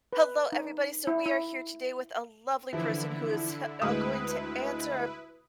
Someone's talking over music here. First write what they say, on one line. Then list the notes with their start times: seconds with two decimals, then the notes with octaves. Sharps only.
Hello, everybody. So, we are here today with a lovely person who is, uh going to answer a
0.13 B4
0.52 D#4
1.07 E4
1.26 E4
2.73 D3 E3 F3 E4
3.82 D2 G#3 E4 B4 D#6